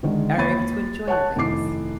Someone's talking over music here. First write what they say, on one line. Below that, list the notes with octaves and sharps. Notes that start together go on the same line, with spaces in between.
are able to enjoy your babies.
D3 D#3 G#3
D#2 C#5 B5 A6 D#7
C#5 F#5 A5 F#6
F1 D#3 E4 D6 C7